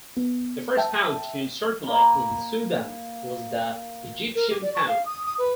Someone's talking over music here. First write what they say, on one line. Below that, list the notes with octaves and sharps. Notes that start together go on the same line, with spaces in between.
The first pound to circulate in Sudan was the Egyptian pound.
B3
E5 G5 A5
A#3 B5
A#4
G4
D5
C#6
F5
D#6
D#6
B4